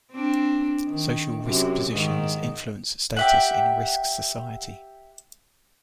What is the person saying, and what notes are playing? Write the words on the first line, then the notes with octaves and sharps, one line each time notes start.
Social risk positions influence status in risk society.
C4 D4
D#3
F#2 C3
G#2 D#3
G4 E5 F#5